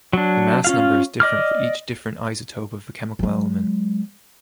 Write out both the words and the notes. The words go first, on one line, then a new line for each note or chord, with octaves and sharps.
The mass number is different for each different isotope of a chemical element.
F#3 D4
C#4 F4 F5
D5 D#5 D6 F6
F#3 G#3